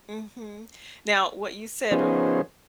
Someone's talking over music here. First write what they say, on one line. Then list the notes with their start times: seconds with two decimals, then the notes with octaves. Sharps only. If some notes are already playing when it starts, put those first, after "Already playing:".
Mhm, now, what you said, r r
1.91 F3 B3 C#4 D#4 G#4 C5